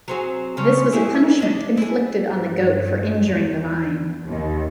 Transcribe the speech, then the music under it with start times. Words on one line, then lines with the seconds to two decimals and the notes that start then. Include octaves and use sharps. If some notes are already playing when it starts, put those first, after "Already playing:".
This was a punishment inflicted on the goat for injuring the vine.
0.08 F#3 C4 G#4
0.57 C#3 F3 C#4
0.92 E4 G4 G#4
1.40 D4 D#5
1.77 E4 G#4
2.29 G2
3.28 E2
4.27 D#2